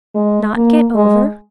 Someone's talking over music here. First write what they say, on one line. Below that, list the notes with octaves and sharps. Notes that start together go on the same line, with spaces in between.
Not get over?
G#3
A#3
G#3